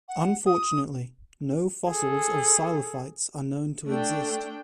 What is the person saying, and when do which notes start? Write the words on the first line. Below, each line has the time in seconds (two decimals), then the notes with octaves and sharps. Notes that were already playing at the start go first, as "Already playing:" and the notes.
Unfortunately, no fossils of psilophytes are known to exist.
0.08 F#5
0.47 D#6
1.89 G#4 A4
3.87 A3 D4 G5